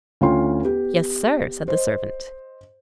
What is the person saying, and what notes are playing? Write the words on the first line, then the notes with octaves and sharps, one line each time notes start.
"Yes, sir," said the servant.
D2 C#4 F4 G5 C6
B3 G4
C5 D#5